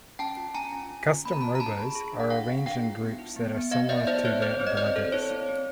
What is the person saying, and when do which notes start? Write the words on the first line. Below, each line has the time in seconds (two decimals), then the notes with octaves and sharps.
Custom Robos are arranged in groups that are similar to their abilities.
0.19 C#4 G5 A5
0.37 F4
0.54 C#4 G#5 A#5
0.72 C#4
0.90 C#4
1.07 F4
1.25 A#3 B5
1.33 A#5
1.41 F4 A5 B5
1.55 A#5
1.60 D4 A5 B5
1.78 G#4
1.95 G#4
2.13 D4
2.20 F#5
2.30 D4 F5 G5
2.48 G#4
2.66 D4 F5 G5
2.83 F4
3.01 B3
3.19 E4
3.36 B3
3.54 B3
3.71 B3 D#5 F5
3.89 B3 D5 E5
4.07 E4 C5 D5
4.25 B3 C#5
4.42 C4 C5 D5
4.60 C4
4.67 D#5
4.77 C4 C5 D5
4.96 A4
5.12 E4 C#5
5.30 C4
5.49 C4